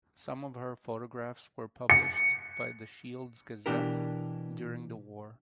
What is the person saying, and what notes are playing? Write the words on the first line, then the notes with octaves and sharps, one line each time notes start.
Some of her photographs were published by the Shields Gazette during the war.
C#7
B2 D#3 E3 D4 G4 A#4